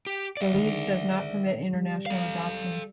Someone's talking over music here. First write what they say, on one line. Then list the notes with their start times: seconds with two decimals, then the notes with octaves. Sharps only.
Belize does not permit international adoptions.
0.07 G4
0.37 D5 E5
0.53 D3 D#3 G#3
1.74 G3
2.06 A4 F5